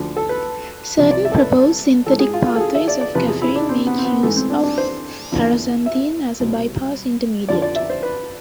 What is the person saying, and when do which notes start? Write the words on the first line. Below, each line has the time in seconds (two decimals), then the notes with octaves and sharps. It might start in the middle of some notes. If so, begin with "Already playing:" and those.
Certain proposed synthetic pathways of caffeine make use of paraxanthine as a bypass intermediate.
Already playing: D2 D3 F3
0.17 A4
0.29 B4
0.98 C2 C3 F3
1.11 D5
1.25 E5
1.32 A4
1.38 B4
2.06 E3 A4
2.10 G#2
2.20 G#4
2.34 F4
2.47 F4
2.56 A4
2.60 G#4
2.74 E5
2.88 D5
3.01 D5
3.15 E2 C3 F3 B4
3.28 G#4
3.42 E4
3.56 D4
3.69 C4
3.87 B3
3.98 C4
4.05 B3
4.23 G#2 E3 A3
4.37 C4
4.50 D4
4.63 D4
4.78 C5
5.32 E2 D3 F3
5.86 E5
6.40 C2 B2
7.49 F2 D3 F3 D5
7.62 D5
7.75 E5
7.90 C5
8.03 B4